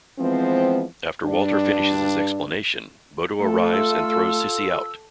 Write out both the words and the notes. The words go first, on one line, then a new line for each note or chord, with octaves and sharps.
After Walter finishes his explanation, Bodo arrives and throws Sissi out.
E3 F3 G#3 B3 C4
G2 D4
A3 F4 A4
E6